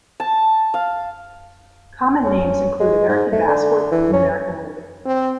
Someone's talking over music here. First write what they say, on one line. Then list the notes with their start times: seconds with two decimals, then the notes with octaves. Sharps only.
Common names include American basswood and American linden.
0.20 A5
0.74 F5
2.24 C#4
2.80 G#3
3.09 G#2
3.32 A3
3.48 D3
3.92 E3
4.13 C#4
5.06 C4